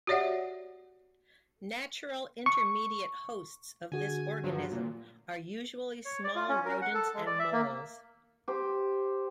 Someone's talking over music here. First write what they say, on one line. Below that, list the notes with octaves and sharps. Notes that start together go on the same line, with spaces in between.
Natural intermediate hosts of this organism are usually small rodents and moles.
F#4 G4 C#5 D5 E5 F#5
C#6
D3 F#4 G#4 G#5
G2 F3 F#3
A#2
C#5
D5
F4
C#4
A#4
F#5
A4
G#3
D5
E5
A#3
G4 C5